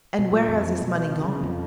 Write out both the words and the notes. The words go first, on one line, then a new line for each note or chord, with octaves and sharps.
"And where has this money gone?"
B2
A#2
F2
B2
C#3
F2